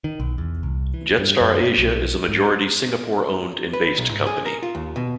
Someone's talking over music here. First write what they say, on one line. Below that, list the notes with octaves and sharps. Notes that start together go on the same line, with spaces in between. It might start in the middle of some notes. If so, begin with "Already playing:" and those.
Jetstar Asia is a majority Singapore-owned and -based company.
D#3
B1
E2
C2
E3
G2
F#2
A#3
B1
G#2
B4
B1
G#2
G#4
A#4
F4
D#2
B2